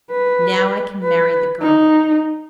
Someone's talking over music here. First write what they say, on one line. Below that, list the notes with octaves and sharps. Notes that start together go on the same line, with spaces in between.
"Now I can marry the girl."
B4
B4
D#4